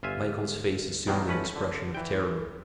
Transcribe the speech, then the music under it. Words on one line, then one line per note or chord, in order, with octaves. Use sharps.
Michael's face assumed an expression of terror.
G1 F4 E5 G#5
G2 B2 D#3 E3 F#3 G3
A3 C#4 B4
D3
E3 G5